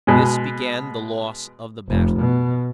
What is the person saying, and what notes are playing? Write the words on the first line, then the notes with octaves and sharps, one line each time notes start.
This began the loss of the battle.
B2 G#3
F1
B2